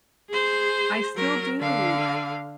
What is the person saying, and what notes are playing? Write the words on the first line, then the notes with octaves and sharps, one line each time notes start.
I still do.
G#4 C5
F#3 A#4
D3 F5